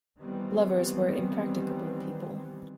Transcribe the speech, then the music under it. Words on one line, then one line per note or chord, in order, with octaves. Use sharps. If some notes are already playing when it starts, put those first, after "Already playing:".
Lovers were impracticable people.
D#3 E3 G3 B3 C4